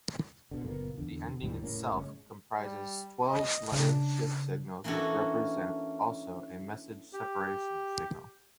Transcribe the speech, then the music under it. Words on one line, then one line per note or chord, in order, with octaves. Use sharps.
The Ending itself comprises twelve letter shift signals which represent also a Message-Separation Signal.
B2 D3
F#1 A#2 A#3 B3
E2 D3
D2 G#2 E3 G3
F1 A2 A#3 C#4
F#1 G#3 C#4
G3
D#5
C#3 D4
E3 A#3 C#4 D4 F#4 A4
G4